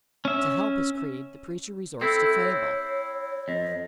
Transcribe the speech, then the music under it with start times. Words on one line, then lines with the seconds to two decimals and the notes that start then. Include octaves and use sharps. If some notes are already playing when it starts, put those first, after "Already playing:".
To help his creed, the preacher resorts to fable.
0.25 C#4 E5
2.01 C4 E4 A4
2.40 C#5
3.48 F2 D#5